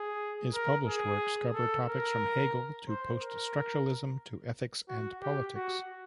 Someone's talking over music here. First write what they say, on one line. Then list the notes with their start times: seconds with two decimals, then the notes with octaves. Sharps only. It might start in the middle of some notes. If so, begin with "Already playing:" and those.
His published works cover topics from Hegel to post-structuralism to ethics and politics.
Already playing: G#4
0.54 A#4
0.88 G#4
1.54 A4
1.88 A#4
2.89 C5
3.21 A#4
4.88 F#4
5.21 G4
5.55 F#4